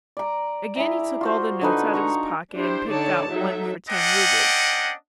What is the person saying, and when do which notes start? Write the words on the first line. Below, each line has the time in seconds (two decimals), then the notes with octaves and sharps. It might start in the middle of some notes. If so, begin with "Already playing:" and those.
Again he took all the notes out of his pocket and picked out one for ten roubles.
0.17 D5 A#5
0.76 E4 G#4 E5 A#5
1.21 F4 F#4 C5
1.61 D3 D#4 B4 G#5
1.93 D#4 A#5 C#6
2.55 D4 E4 G4 C5
2.90 D3 D#4 C#5 D5 A5
3.29 F#3 D#4 A4 E5
3.90 B3 C#4 D4 D#5 F#5 G5